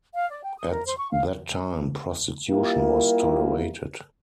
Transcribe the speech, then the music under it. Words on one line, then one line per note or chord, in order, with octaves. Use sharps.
At that time prostitution was tolerated.
F5
D5
G5
D#6
A#4
C5
C#6
F5
G3 A#3 E4 F4 G4 A#4